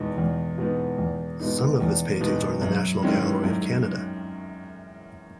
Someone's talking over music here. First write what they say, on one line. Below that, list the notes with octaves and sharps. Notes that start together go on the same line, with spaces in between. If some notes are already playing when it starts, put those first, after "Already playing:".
Some of his paintings are in the National Gallery of Canada.
Already playing: E2 B2 G#3 B3 D#4
E2
B2 G#3 B3 D#4
E2
B2 G#3 B3 D#4
E2
B2 G#3 B3 D#4
F#2
D#3 G#3 C#4 E4
F#2